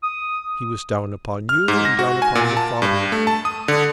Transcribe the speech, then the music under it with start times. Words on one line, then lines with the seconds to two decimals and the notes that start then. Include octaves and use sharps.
He was down upon you and down upon your father.
0.03 D#6
1.49 F6
1.68 G#2
1.85 A#6
1.99 F#4
2.22 G#5
2.35 A#2
2.57 A5
2.82 G2
3.12 A3
3.27 A5
3.45 D#6
3.68 D3